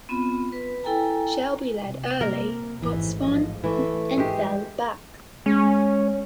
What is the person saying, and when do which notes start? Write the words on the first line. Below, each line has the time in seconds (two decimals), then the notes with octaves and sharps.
Shelby led early but spun and fell back.
0.09 B3 C4 F4 B5
0.52 B4
0.84 E4 A4 G5 G#5 A#5
1.84 C3
2.21 A#3 A#4
2.78 A1 F2 G#2 E3
3.23 F3 D#5
3.64 E3 A3 E4
4.18 G#2 G#3 G4
5.46 G#3 C#4